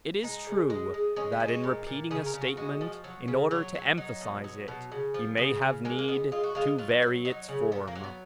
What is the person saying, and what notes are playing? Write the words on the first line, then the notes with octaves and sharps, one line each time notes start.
It is true that in repeating a statement in order to emphasize it he may have need to vary its form.
G#3 D#4
C#3
G#3
G#3
G#3 C#4
B3
G#3
C#4
A#2
A#2
C#3 G#4
A#4
C#3
F#4
G#3 F#4
F3
F#3
C#3
F#3
F#3
F#3 D#4
B2
F#3
B2
C#3
F3
C#3 B3
C#3
G#3 A#3
A#3
G#3 B3
G#3 F4
F#4
G#3 F4
F#3 F4
F#3
F#3 D#4
C#3
A#2 B3
A#3
F#3
B3